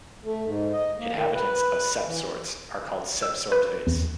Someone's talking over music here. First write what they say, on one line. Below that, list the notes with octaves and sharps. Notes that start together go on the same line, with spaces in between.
Inhabitants of Sept-Sorts are called "Septsortais".
A3
G#2
D#5
A#3
D#3
B4
E3
E6
B4
E2